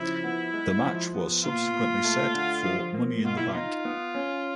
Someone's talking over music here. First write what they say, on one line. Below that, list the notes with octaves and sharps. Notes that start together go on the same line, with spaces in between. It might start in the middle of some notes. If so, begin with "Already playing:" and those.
The match was subsequently set for Money in the Bank.
Already playing: C#3 F3 E4
B3
G#3
F3
B3
A#2 F4
A#2
A3
D3
F3
A#3
B2 F4
E4
F4
D#4
B3
C#4